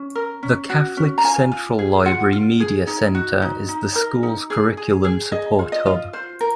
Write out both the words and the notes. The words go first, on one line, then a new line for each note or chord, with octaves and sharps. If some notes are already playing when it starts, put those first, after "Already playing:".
The Catholic Central Library Media Center is the school's curriculum support hub.
Already playing: C#4
A#4
C#4
F#4
C#4
A#5
F4 G#5
F4
G#4
F4 F#5
F4
G#4
D#4
F#4
D#4
D#4
A#4
D#4
G#4
G#4
G#4
G#4 D#5
F4
D#5
F4
F4 C5
A#4